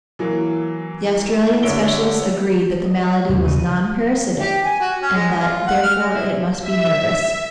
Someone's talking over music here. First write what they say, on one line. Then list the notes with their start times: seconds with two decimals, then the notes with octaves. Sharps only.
The Australian specialists agreed that the malady was non-parasitic, and that, therefore, it must be nervous.
0.19 E3 F#3 A#3
1.63 D3 G3 C#5 E5 D7 G7
2.85 D#5
3.29 D#2 C3 G#3
3.44 C2 C#3 D#7
4.40 G4
4.64 G#5
4.80 F#4
5.02 C#4
5.15 G#3
5.35 F4
5.67 F#5
5.83 F6
6.00 G#3
6.14 E4
6.61 E5